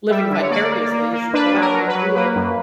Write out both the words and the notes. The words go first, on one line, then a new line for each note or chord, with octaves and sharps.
living vicariously. You should go out and do it,
G3 E5
D3
C#5
A#3 D5
A#3
A#3
A#3
D4 B4
F#3
A#4
F#3
B4
F#3
A#3 B4
F#2